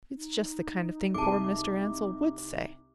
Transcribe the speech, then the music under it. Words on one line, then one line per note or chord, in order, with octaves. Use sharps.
It's just the kind of thing poor Mr. Ansell would say.
D#4
C2 G#4 A5 D6